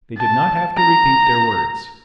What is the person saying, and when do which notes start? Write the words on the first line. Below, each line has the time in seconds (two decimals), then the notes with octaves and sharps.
They did not have to repeat their words.
0.18 A5
0.78 A#5